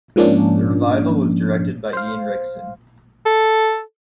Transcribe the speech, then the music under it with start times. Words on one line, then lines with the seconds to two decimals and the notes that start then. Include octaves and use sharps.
The revival was directed by Ian Rickson.
0.16 G#2 F3 A#3 C#4 D4
1.93 C5 F5
3.26 A4